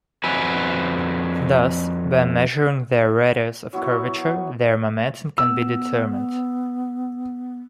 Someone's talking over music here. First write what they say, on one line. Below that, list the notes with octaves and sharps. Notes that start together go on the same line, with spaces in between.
Thus, by measuring their radius of curvature, their momentum can be determined.
F2 C#4 F#4 B4 G#5
F#3 B3 E4 F#4
B3 E6